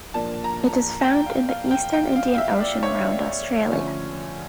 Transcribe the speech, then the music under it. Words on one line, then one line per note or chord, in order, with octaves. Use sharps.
It is found in the eastern Indian Ocean around Australia.
A#2 F3 A#3 D4 A5
A#5
G5
F5
F5
G5
G5
F5
F5
E5
D5
C#5
D3 F3 A3 C#4